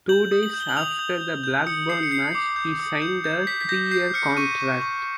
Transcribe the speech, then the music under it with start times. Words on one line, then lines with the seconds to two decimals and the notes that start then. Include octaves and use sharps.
Two days after the Blackburn match, he signed a three-year contract.
0.09 G6 F#7
0.32 D#6
0.43 F#7
0.53 G6
0.60 G7
0.69 F#7
0.76 D#6 F7
0.99 G6
1.21 G6
1.44 G6
1.67 D#6 C#7
1.89 G6 C7
2.03 C#7
2.11 G6 C7
2.35 D6
2.56 G6
2.80 D#6
3.02 G6
3.24 G6
3.47 G6 B6
3.61 B6
3.69 G6 A#6
3.91 G6 C7
4.14 F6 C#7
4.37 C#6 D#7
4.60 C#6
4.81 C#6